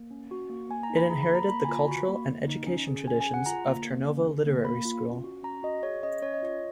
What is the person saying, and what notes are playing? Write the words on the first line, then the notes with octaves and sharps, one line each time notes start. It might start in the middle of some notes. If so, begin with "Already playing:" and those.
It inherited the cultural and education traditions of Turnovo Literary School.
Already playing: A#3
C#4
F#4
A#3
A#3 G#5
A#5
D#4
B5
G#4 A#5
B5
A#3
A#5
A#3 B5
G#5
F4 A#5
F#4 B5
A#3
A#3
D#4
C#4
G#4
C#4 G#5
G#5
G#4
F#5
F4 A#5
A#3
A#3
C#4
G#4
A#3
A#3 B5
F4
C#4
F#4
C#4 A#5
F#4 D#5
G#4 C#5
C#4 D#5
C#4 C#5
D#5
F4 C#5